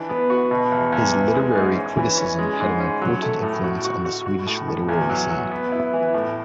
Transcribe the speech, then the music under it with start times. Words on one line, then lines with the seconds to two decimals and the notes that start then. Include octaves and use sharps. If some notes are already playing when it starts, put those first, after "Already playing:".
His literary criticism had an important influence on the Swedish literary scene.
Already playing: E3 D4
0.09 B3
0.30 F#4
0.51 B2
0.72 E2
0.92 E2
1.13 E3
1.34 G#3
1.55 G#2
1.76 C#4
1.97 E3
2.18 C#4
2.39 G#3
2.60 G#2
2.80 C#4
3.02 F#3
3.22 A3
3.43 A2
3.64 F#4
3.85 F#4
4.05 F#4
4.26 F#4
4.47 A2
4.68 A2
4.89 E2
5.09 F#3
5.30 F#3
5.51 B3
5.72 E4
5.93 E3
6.14 A2